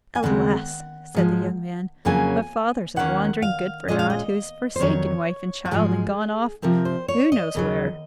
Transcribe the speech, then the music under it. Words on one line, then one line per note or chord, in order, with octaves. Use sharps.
'Alas!' said the young man, 'her father is a wandering good-for-naught, who has forsaken wife and child, and gone off--who knows where?
G#5
D#2 C#3 G#3 C4 F#5
G#2 F3 G#3
F2 C#3 F#3 A#3 C#4 G#5
D#2 D#3 A#3 C#4 F#5
F5
A#2 G#3 C#4 D#5
F5
D#5
C5
F2 D#3 F#3 C#5
F#4
G#2 F3 G#3 G#4
C3 F3 C4 A#4
C5
C#5
D#5
D#2 C#3 F#3